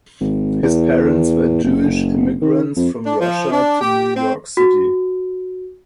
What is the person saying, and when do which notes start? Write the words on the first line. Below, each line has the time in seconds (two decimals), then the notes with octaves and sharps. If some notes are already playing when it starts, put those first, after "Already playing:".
His parents were Jewish emigrants from Russia to New York City.
0.21 G#1
0.63 E2
1.64 F#1
2.42 D#3
2.76 F2
3.04 D4
3.19 F3
3.51 D4
3.80 G4
4.15 C4
4.57 F#4